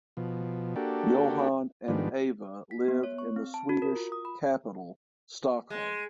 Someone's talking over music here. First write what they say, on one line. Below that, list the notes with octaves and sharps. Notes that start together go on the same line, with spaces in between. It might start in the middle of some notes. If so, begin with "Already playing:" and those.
Johan and Eva live in the Swedish capital Stockholm.
B2 F3
A#3 D4 F#4 G4 A4
G#2 D#3 F3 G3 B3 D4
B6
B3
C#5
C#6
C4
A5
F#4
A#4
F4
D#6
B5
G#3